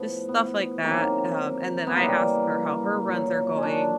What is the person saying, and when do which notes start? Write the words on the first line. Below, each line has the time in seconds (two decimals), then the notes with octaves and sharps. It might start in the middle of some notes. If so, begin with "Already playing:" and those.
just stuff like that, um, and then I ask her how her runs are going,
Already playing: A2 F3 B3
0.29 B3
0.84 C3 D#3 F#3 A#3
1.87 B3
1.96 C#3 E3 G3 A#3
3.07 A#2 F#3
3.57 C#4
3.63 D4